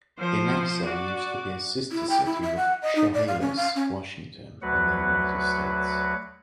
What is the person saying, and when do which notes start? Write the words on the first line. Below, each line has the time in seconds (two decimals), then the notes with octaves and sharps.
Inasa used to be a sister city with Chehalis, Washington, in the United States.
0.19 F3 C5
0.86 F#4 D5
1.92 E4
2.10 G5
2.26 E4
2.43 E5
2.57 F#5
2.82 D#5
2.96 D#4
3.14 D5
3.28 F5
3.41 C#4
3.57 F5
3.75 C#4
4.62 D2 F#3 F#4 B4 F#5